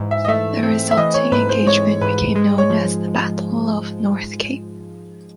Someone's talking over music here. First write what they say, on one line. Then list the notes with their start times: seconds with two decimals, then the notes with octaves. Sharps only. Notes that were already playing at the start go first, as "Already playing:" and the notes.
The resulting engagement became known as the Battle of North Cape.
Already playing: G#2 E3
0.11 E5
0.25 D#5
0.28 A3 E5
0.63 C4
0.91 E5
0.97 E3 D#5
1.14 C#5
1.32 G#2 B4
1.49 C5
1.66 G#3 C#5
2.01 G#2 B4
2.35 G#3
2.58 C#5
2.70 F3